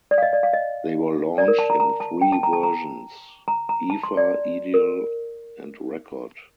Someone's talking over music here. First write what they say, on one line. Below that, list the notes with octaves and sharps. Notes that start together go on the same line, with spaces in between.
They were launched in three versions: Eva, Ideal and Rekord.
D5
F5
D#5
D5
F5
D#5
D5
A#4
A5
A#5
A#5
A5
G5
A5
A#5
A5
A#5
A#5
A#5
A5
C6
D5
A#4